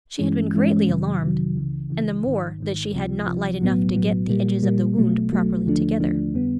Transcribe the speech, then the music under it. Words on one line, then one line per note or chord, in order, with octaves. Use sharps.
She had been greatly alarmed--and the more that she had not light enough to get the edges of the wound properly together.
G2 E3 G#3 C#4
G2 E3 G#3 C#4
F2 C3 D#3 F#3
F2 C3 D#3 F#3
C#2 C#3 E3
C#2 C#3 E3
G#1 G#2 D#3
G#1 G#2 D#3
C#2 C3 F3
C#2 C3 F3
B1 A2 F#3 B3
B1 A2 F#3 B3
A#2 G3 A#3
A#2 G3 A#3
B1 B2 F#3 A3
B1 B2 F#3 A3
D#2 D3 F3 A3 D4
D#2 D3 F3 A3 D4
F2 D3 G3 B3